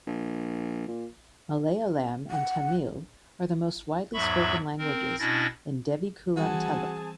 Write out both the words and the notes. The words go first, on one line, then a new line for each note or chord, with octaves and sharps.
Malayalam and Tamil are the most widely spoken languages in Devikulam taluk.
A#1
A#2
F#5
E2 G#2 F#3 E5 B5 C#6
C4 A#4
B2 C#4 D4 E4 A6 A#6
E3 G3 C4 F#4 G#4 F#5 G#5 A5